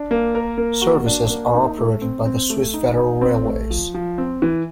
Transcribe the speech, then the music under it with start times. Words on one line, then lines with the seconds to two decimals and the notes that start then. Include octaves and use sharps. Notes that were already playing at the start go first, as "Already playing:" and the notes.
Services are operated by the Swiss Federal Railways.
Already playing: D4
0.11 A#3
0.35 A#4
0.58 A#3
0.82 F#4
1.06 D4
1.30 A#3
1.54 D#4
1.79 A3
2.02 C4
2.25 C4
2.50 A3
2.74 D#4
2.98 D#4
3.21 C4
3.45 A3
3.71 F3
3.94 F3
4.18 C4
4.42 E3